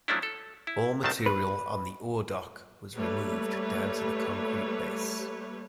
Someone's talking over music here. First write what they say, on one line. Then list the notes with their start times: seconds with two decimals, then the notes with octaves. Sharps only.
All material on the ore dock was removed down to the concrete base.
0.08 F3 F#3 A3 C#4 D4 E4
0.23 A4
0.67 E4
1.03 C2 D#3 A3 C4 A5
1.26 B4
2.96 G3 A3 A#3 B4 C#5